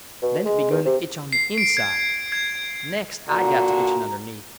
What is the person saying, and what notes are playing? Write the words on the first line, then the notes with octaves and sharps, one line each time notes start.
Then it begun to itch on the inside. Next I got to itching underneath.
B2
G#3
E2
C3
C7
D7
G#6
G#6
A#2 D3 F#4 A#5